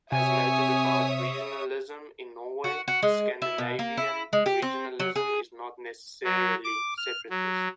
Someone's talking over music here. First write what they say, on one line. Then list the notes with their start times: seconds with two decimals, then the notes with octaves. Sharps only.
As noted about regionalism in Norway, Scandinavian regionalism is not necessarily separatist.
0.12 C3 C#5 E5 G#5 D#6
2.64 F#4
2.88 F#4
3.03 G#3
3.42 E4
3.58 B2
3.79 A#3
3.97 E4
4.33 G#3
4.46 G4
4.62 C4
4.99 F#3
5.16 G#4
6.24 F#3
6.64 D6
6.97 F6
7.30 F#3